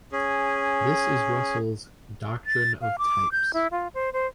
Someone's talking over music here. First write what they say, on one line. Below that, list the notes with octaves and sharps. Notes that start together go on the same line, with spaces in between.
This is Russell's "doctrine of types".
C#4 G#4
A6
F5
D6
G6
E4
F4
C5
C5